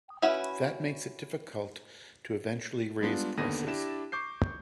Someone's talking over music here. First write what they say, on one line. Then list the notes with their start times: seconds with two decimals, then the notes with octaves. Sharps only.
That makes it difficult to eventually raise prices.
0.22 C#4 E4 F#4 B4
3.01 G3 G#3 B3 D4 F4
3.37 D#2 D3 A#3 B3 A#6 D#7
3.67 D4 E4 G4 D5 E7
4.12 C#6 D6 G6 C7